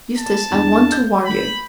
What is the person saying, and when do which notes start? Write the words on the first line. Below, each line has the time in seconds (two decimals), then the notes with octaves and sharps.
Eustace, I want to warn you.
0.18 A5
0.50 E2 D4
0.92 G6
1.25 B5